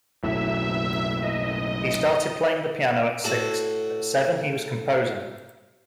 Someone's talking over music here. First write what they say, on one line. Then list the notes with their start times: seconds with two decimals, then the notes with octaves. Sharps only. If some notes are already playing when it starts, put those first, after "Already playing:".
He started playing the piano at six; at seven he was composing.
0.23 F#1 B1 A2 E5
1.22 D#5
3.24 A2 F#4 A4